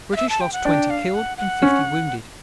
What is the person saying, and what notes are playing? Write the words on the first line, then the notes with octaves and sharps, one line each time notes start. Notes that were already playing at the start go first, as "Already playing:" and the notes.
The British lost twenty killed and fifty wounded.
F5
E5
A5
G5
F#5
D4 G5
F5
F#5
F#5
C#4